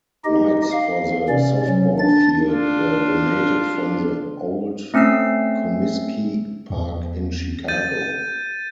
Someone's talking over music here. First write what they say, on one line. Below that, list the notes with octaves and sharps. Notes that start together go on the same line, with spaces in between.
Lights for the softball field were donated from the old Comiskey Park in Chicago.
D#4 G4 D#5
F5
C3 C#4 D5
F#3 C#4
D4 A6
D4 F4
A3 C4 C#4 E6 C7
E2
G6 A6 D#7